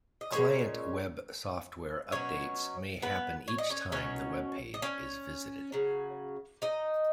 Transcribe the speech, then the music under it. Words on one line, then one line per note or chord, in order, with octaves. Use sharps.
Client web software updates may happen each time the web page is visited.
D#5
A#2 G#3 C#4 C#5
B2 F#3 C#4 C#5
B3 B4
C#5
D#5
C#4 C#5
B2 F#3 C#4 C#5
D#5
C#4 C#5
C#3 F#3
D#4 D#5